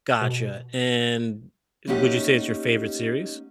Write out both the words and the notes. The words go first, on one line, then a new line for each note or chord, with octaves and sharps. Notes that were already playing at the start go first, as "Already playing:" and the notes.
Gotcha, and is it would you say it's your favorite series?
B2
A3 A#3 C#4 D#4 G4 F#5